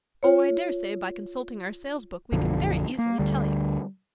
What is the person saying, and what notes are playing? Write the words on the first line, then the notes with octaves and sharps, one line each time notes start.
Oh, I daresay by consulting our sales book we could very easily tell you.
F4 C#5
B1 F#2 D3 F3
A#3
D2 D3 G3